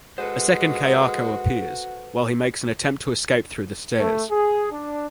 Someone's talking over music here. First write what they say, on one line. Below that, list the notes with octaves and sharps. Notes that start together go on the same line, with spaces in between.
A second Kayako appears, while he makes an attempt to escape through the stairs.
G#3 F#4 A4 B4 C5
A3
G#4
D4